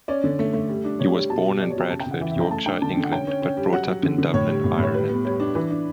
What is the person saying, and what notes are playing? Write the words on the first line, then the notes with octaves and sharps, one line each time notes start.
He was born in Bradford, Yorkshire, England, but brought up in Dublin, Ireland.
C#4 D5
D3
A3
A3
G3
D4
G3 C#5
G3 C#5
B2 A5
B2
G3 D5
C#5
B2
G5
C#3 A5
G5
C#3 F#5
E3 E5
E5
C#3 G5
A3 A5
D4 G5
D3 A5
D3
F#5
C#4 G5
C#4
C#4
G3
F#3 F#5
F#3
D3
D3
A2 C#5
G3
A2
A2 C#5
G3 B4
B3
G3 C#5
D4
E3 B4
D4